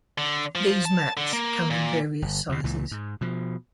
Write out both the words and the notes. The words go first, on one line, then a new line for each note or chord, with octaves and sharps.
These mats come in various sizes.
D3
F3
A5
D3
A#3
A#2
G1
E2 C3
C#2 A#2 E3
G#2
B2 F3